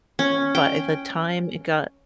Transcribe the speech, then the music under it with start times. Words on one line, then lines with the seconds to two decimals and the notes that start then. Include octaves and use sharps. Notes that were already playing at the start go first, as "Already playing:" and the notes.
but at the time it got
0.19 C#4
0.55 G5